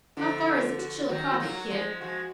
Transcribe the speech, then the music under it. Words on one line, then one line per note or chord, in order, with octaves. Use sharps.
"How far is it to Chillicothe, kid?"
D3 F3 D4
F4
F#4
D#3 F#3 F#4
F#4
F#3 A#3
F#4
F3 G#3
G#4
F3 G#3 F#4